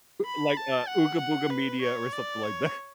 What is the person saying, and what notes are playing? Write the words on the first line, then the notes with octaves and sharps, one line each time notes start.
Like, uh, Ooga Booga Media or something like that.
B5
A5
F#5
F#5
B4
C#5
D5
C#5